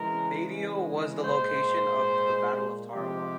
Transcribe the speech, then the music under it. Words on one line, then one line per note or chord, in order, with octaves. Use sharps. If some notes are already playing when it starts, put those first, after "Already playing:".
Betio was the location of the Battle of Tarawa.
Already playing: C#3 E3 G#3 A#4
A#2 G#3 C5
C3 F3 G#3 G4